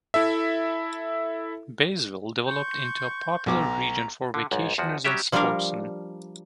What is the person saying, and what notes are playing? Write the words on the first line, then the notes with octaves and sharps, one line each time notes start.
Baysville developed into a popular region for vacationers and sportsmen.
E4 A4 E5
C6 C#6 G6
B1 A#5 D6
D3
B1 G#2
E2 F3 F#4
F#3 G3 C#4 G4 E5
F3 G3 A#3 D4 A#4 F5